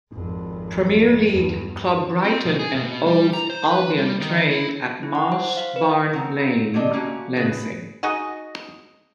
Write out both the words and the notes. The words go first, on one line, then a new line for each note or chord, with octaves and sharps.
Premier League club Brighton and Hove Albion train at Mash Barn Lane, Lancing.
G#1 F2
E2 G2
C4
B2
G#4
B2
G3
A#5
C5
B4
G3
D#3
E4
E4
F#5
C5
F5
B4
C#3 C4 F#5 A#5
F#3 G3 D4 D#5
A3 A#3 C#4 F#4
C#3 G#4 B4
D#4 F#4 G#4 D#5